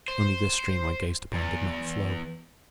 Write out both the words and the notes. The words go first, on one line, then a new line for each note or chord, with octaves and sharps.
Only this stream I gazed upon did not flow.
C5
E2